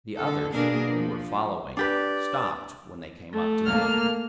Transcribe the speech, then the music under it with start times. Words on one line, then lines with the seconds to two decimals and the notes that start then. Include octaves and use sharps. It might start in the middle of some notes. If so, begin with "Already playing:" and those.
The others, who were following, stopped when they came up to him.
0.17 D3 A4
0.53 B2 A#3 D4 G#4 A#4
0.90 F3
1.77 D4 G4 B4 D5
3.34 A3
3.66 A#3 F6